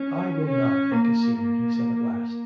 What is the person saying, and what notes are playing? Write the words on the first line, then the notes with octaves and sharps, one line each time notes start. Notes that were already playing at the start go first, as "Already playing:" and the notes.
'I will not make a scene,' he said at last.
Already playing: C#4
C#4
A#3
A#3